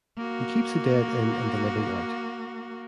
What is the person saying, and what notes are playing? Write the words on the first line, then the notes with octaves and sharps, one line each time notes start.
He keeps the dead in and the living out.
A#3 F#4